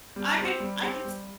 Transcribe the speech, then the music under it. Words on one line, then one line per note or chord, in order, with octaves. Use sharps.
I could I could s
G3
C4 G4
G3
C4 G4
G3